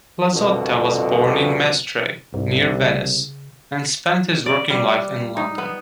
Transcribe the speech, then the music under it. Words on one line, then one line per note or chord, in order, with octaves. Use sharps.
Plazzotta was born in Mestre, near Venice, and spent his working life in London.
C2 F2 B2 D3 F3
C2 G#2
C#3
D5
G3
D#4
B3